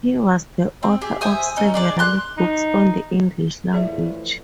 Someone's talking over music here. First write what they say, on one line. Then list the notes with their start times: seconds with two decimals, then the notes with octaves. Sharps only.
He was the author of several books on the English language.
0.83 C4
1.01 G4 G#4
1.21 C5 E5 G#5 D#6
1.56 C#4 D#4 G#5
1.74 D4 G#4 D5
1.99 C6 F#6
2.38 D#4
3.73 A2 E3 F3 G#4 D5 E5